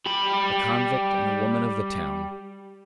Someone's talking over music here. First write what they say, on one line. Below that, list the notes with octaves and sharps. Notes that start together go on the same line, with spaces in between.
A convict and a woman of the town.
G3 B5